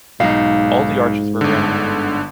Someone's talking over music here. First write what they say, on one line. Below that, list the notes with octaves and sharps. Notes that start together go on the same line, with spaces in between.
All the arches were round.
B1 G#2 D#4 F5
G1 D3